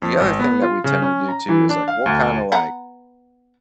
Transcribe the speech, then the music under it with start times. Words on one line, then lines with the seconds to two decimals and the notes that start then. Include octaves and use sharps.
The other thing that we tend to do too is like we'll kinda like
0.02 F2
0.20 G#1
0.39 B3
0.62 F4
0.84 C#3
1.02 C#4
1.29 A#5
1.49 E3
1.69 D4
1.88 F5
2.06 D2
2.52 B3 F#5 A#5